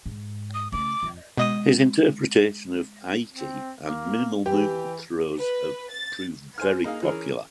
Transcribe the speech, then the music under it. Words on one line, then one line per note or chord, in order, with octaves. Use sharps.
His interpretation of "aiki" and minimal movement throws have proved very popular.
G#2
D#6
C#3 A3 D6
F2
B2 G#3 D#5 D#6
C4
A#3
E3 G4
B4
A6
C5 G#5 F6
A#3 D#4 G#4 F5
E3 C#4 G#4 A#4